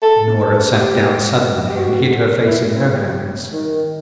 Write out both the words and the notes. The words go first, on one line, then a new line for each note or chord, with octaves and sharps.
Norah sat down suddenly, and hid her face in her hands.
A4
G4
G4
F#4
E4
C4
B3
G3
F#3
D#3